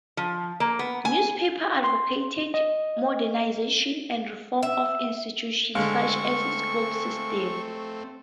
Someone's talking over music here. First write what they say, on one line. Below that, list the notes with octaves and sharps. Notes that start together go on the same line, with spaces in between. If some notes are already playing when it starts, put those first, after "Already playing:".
Newspapers advocated modernization and reform of institutions such as the school system.
F3
A#3
B3
G#5
C6
D#5
E5
D3 G#3 A3 C4 F5 C#6